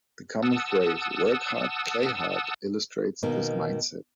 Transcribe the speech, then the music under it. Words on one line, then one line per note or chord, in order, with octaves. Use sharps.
The common phrase "Work hard, play hard" illustrates this mindset.
F#5 A5 D#6 E6
B2 D#3 A#3 D#4